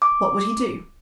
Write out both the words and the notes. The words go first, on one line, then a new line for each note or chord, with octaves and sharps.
What would he do?
D6